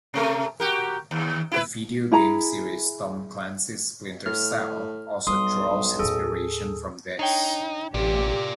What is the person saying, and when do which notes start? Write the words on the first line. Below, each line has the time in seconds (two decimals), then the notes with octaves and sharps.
The video game series "Tom Clancy's Splinter Cell" also draws inspiration from this.
0.14 C3 A3 A#4
0.60 F#4 G4 A#4
1.11 D#2
1.52 E4 F#4 B4
2.12 E4 G#4 A#5
4.26 A2 F6
5.27 B1 G3 A#3 C6 D#6
5.99 D#2 A2 G#4 A4
7.19 D4 D#4 C#5 G5
7.94 A1 F4 G4 D5